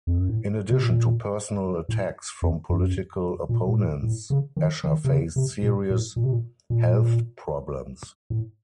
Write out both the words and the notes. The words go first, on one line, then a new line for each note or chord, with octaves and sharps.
In addition to personal attacks from political opponents, Escher faced serious health problems.
F2
F#2
A2
C3
A#2
A2
F2
F#2
A#2
A#2
A2
A2
C#3
D#3
D#3
C3
C#3
C3
A#2
A2
A#2
C3
A#2
A#2
A2